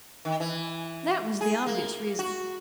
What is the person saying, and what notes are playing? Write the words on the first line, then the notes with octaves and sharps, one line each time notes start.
That was the obvious reason.
D#3
E3
G#4
A#3
F#4